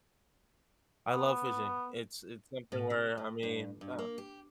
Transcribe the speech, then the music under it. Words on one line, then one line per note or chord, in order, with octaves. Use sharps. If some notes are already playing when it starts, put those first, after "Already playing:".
I love fishing. It's it's something where, I mean, uh
B3
A2
C3
A2
G2
G2
A#3
G4